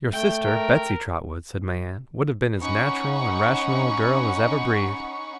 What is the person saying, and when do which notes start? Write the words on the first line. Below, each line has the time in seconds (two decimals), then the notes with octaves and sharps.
'Your sister, Betsey Trotwood,' said my aunt, 'would have been as natural and rational a girl as ever breathed.
0.14 A3 G5
0.46 A#4
2.60 C#4 D#4 F#5 B5 C#6 C#7